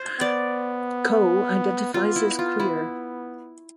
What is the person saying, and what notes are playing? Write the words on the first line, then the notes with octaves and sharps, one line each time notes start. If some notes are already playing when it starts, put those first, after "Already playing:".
Koe identifies as queer.
Already playing: C5
B3 D5
B3 F4
E4
F4
E4